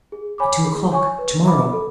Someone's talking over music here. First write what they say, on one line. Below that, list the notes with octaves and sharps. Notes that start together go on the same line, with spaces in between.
"At two o'clock to-morrow."
G#4
C#5 G#5 B5 D6
G#4
C#5 G#5 C#6
B4
E5 B5 D6
A4